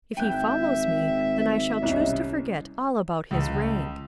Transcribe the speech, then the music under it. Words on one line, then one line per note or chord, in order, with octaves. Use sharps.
If he follows me then I shall choose to forget all about his rank.
G#1 E5 G5 G6
C2 C#4 D#5
C#2